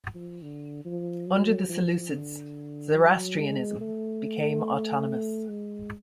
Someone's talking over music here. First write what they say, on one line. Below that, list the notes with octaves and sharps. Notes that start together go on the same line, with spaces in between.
Under the Seleucids, Zoroastrianism became autonomous.
F3
D3
F3
F#3
F3
D3
F#3
G#3
A3
G#3